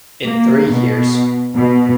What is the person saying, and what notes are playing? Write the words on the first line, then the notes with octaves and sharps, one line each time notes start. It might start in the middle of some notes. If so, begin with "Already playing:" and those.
In three years.
A#3
B2
B2